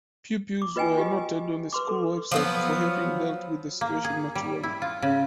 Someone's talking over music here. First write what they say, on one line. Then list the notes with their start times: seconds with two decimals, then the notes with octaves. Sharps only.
Pupils were noted on the school's website for having dealt with the situation maturely.
0.62 D6
0.76 F4 B4 D#5 G5 G#5
0.97 F4 G4 D#5
1.73 B4 C6 D6
1.89 A4
2.31 F3 F#3 B3
3.81 A#3
4.04 G#4
4.35 G3
4.63 E4
4.82 F4
5.02 C#3